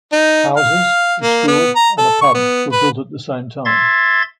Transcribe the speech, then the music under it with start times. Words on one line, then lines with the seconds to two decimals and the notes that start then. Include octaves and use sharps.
Houses, a school and a pub were built at the same time.
0.12 D#4
0.57 F5
1.22 A#3
1.48 B3
1.76 A#5
1.98 A4
2.21 C#6
2.34 B3
2.72 B4
3.65 E5 C6 G#6 A6